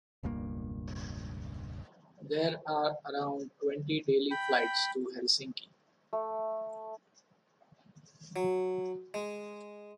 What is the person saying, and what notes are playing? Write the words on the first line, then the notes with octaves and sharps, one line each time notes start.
There are around twenty daily flights to Helsinki.
E1 C#2 G2 A#3
G5 B5
A3
F#3
G#3